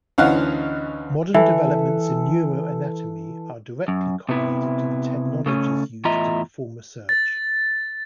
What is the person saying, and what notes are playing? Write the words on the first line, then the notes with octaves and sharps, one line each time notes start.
Modern developments in neuroanatomy are directly correlated to the technologies used to perform research.
D2 E3 C#4 D#4 F5 F#5
E3 A4 B4 E5
F#2
C3 B3 E4
C#3 A3 C#4
E2 A2 F4 D#5 E5 A#5
A6